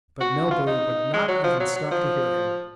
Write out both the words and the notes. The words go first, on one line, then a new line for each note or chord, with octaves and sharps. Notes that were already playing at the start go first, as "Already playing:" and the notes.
But Melbury would not even stop to hear him.
F#4
F4
D#4
G#3
F#3
F3
F#3
F#3
F3